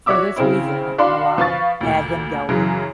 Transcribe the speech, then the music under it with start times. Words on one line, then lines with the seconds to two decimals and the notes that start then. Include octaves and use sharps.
For this reason, Milam had him gelded.
0.06 F#4 C#5 D5 E5 D6 E6
0.36 C#3 C4 E4
0.98 D4 F#4 D5 F5 B5 C6
1.38 F3 B4 F5 C#6 A6
1.81 D2 A#2
2.49 F#2 C#3 E3 F#3